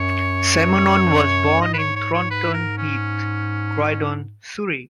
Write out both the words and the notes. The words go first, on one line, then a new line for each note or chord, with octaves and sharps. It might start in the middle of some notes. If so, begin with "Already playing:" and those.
Simonon was born in Thornton Heath, Croydon, Surrey.
Already playing: F#2 C#5
G#2 D#5
B4
C#5
C#5
C#5
B4
A#4
C#4